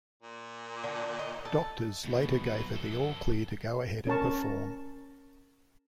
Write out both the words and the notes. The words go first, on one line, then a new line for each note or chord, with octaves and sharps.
Doctors later gave her the all clear to go ahead and perform.
A#2
D3
D#4
A4
D#2 B2
F#3 B4
F#2 A4
C#4 A#4 A5 C#6